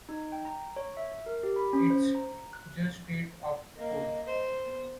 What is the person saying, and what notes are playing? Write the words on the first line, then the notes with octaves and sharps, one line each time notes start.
It's just straight-up cool.
D#4
G5
A#5
C#5
E5
A#4
G4
B5
C#4
C5
A#5
F#6
A#3 D#5
C5
B3